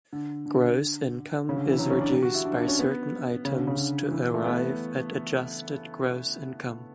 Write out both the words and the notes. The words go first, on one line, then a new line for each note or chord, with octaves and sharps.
Gross income is reduced by certain items to arrive at adjusted gross income.
D3
D3
C#3
D3
E3
F#3
C#4
D4
G4
F#4
E4
D4
D4
C#4
B3
C#3
D3
C#3
D3
E3
A3
B3